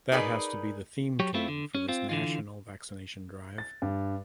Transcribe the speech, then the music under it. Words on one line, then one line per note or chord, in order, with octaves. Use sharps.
That has to be the theme tune for this national vaccination drive.
D#4 G#4 A#4 B4 D5
F#3 G4 C#5
A3 C4 E4 F4
D3
C#4
C4 F4
D3 E3 F4
A6
G2